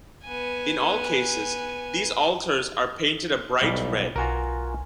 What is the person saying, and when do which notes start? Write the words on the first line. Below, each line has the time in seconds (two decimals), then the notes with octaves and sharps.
In all cases, these altars are painted a bright red.
0.24 B3 G#5
3.61 B1 G3
4.16 B1 F4 F#4 A#4 G#5